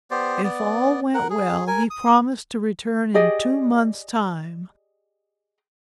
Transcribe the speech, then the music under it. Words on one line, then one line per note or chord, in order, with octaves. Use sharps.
If all went well he promised to return in two months' time.
B3 G4 C5 D5
B3 D5
A#4 F#5
G#4
A#4 G#5
D#6
G4 G#4 D5 D#5